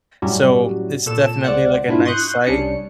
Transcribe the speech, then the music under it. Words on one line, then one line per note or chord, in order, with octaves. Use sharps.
So, it's definitely, like, a nice sight.
F#2 A2 F#3 G3 C#4 F#4
A#2 A4 E7
C#2 C5 D5 F#5
G#2 D4 E4 F4
C6 C#6 D#6 F#6 G6
C2 G3 C#4 D4 C#7